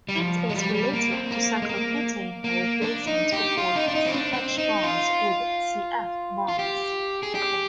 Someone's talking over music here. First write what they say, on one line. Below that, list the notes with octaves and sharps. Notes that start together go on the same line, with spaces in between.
It is related to cyclobutane by replacement of all C-H bonds with C-F bonds.
G3
F3
G#3
G3
G3
A#3
C4
A#3
G#3
A#3
A#3
D4
D#4
G4
F4
D#4
D4
D#4
C4
D4
C4
D#4
F4
F4
G4
G#4
G4